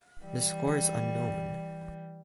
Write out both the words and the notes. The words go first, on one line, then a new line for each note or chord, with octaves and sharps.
The score is unknown.
E3 G3